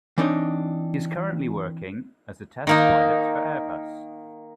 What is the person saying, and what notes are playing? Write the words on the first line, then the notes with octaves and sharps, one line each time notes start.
He is currently working as a test pilot for Airbus.
E3 C4 D4 D#4 C#5 D#5
D#3 A#3 D#4